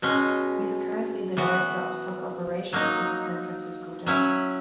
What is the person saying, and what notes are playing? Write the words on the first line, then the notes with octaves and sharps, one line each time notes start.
He is currently the Director of Soccer Operations with the San Francisco Deltas.
B2 G#3 C#4
E3 B3 F#4
F#3 A#3 D#4
F#3 C#4 E4